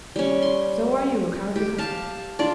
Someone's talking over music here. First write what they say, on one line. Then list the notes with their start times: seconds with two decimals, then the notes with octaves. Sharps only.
"So are you a cowardly custard."
0.16 G3 C#4
0.42 C6
1.56 G4
1.78 F5 A5
2.39 D4 F4 D5